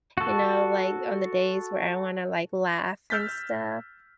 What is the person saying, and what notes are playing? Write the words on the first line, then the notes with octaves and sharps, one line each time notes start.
you know, like, on the days where I wanna, like, laugh and stuff,
F#4 A4
E6 F6 G6 A6 B6